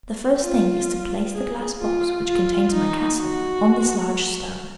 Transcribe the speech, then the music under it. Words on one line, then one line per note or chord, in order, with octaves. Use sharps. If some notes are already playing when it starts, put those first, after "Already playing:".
The first thing is to place the glass box which contains my castle on this large stone.'
F4
G#4
F4
F4
D#4
F#4